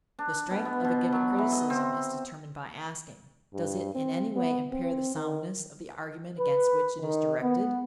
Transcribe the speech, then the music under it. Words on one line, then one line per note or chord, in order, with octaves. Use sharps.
The strength of a given criticism is determined by asking: Does it in any way impair the soundness of the argument against which it is directed?
D4
B2
B3
B2
F#3
E3
D#5
C4
G2
C4
B3
C4
D#3
B4
D#3
B3